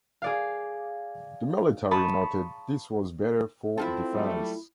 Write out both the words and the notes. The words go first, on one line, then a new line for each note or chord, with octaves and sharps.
The military noted this was better for defense.
G#4 D5 F5
A5 B5 C#6 D#6
C4 E4 F4 A4
F#3 G3 A3